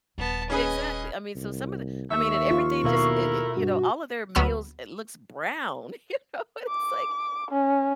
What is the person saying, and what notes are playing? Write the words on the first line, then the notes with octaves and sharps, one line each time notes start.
Exactly, I mean, so some of the I mean, and everything just, it it you know, all of their meals, it looks brown, you know, it's like
D#1 B3 A5
C#4 G#4 B4 D#5 G#5
C2
D#2 E5 C#6
F4
B2 A3 E4 A#4 F5
G2 F#4
D2 F#3 B3 B5 E6 F6
D6
C#4